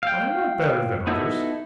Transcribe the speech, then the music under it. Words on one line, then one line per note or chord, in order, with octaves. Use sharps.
I am not better than others.
F5 G5
B3 D#4 E4 F#4 A4